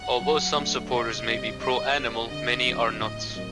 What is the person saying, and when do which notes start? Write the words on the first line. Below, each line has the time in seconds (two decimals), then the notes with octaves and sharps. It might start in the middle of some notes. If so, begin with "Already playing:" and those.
Although some supporters may be pro-animal, many are not.
Already playing: F#5
0.20 F#3
0.55 A3 D4
0.90 C3 D#5
1.25 G3 C4
1.60 G3 D#5
1.95 C4 G4 A#4 D5
2.30 D3 D#5
2.65 F#3 C4 F#4
2.99 A2 D#5
3.35 F#3 C4 F#4 A#4